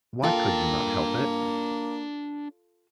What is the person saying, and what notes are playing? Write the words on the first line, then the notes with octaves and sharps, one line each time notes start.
Why could you not help it?
A#3 D4 F4 A4 G5